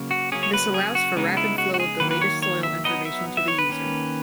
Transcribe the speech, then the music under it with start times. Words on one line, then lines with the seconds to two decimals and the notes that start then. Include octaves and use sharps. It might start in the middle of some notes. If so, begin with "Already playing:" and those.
This allows for rapid flow of the latest soil information to the user.
Already playing: C#3 F#3 A#3 C#4
0.11 F#4
0.32 C#3 F#3 A#3 C#4 G#4
0.43 C#5
0.54 B4
0.74 G#4
0.95 F#4
1.16 C#3 G#3 B3 D#4
1.37 E4
1.58 F#4
1.74 F#4
1.80 G#4
2.00 D#3 F#3 A#3 B4
2.11 B4
2.21 C#5
2.42 C#5
2.63 E5
2.84 F#3 B3 D#4 D#5
3.05 E5
3.37 E5
3.48 C#5
3.59 B4
3.69 D#3 A#3 C#4